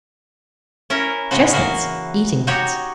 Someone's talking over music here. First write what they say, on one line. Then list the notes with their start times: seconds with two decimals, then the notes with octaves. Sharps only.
"Chestnuts--eating ones."
0.90 C#4 E4 A#4
1.31 A2 C#3 G#3 F#4
1.53 E3 A#3 F#4 F5
2.47 D#4 F#4 G4 C#5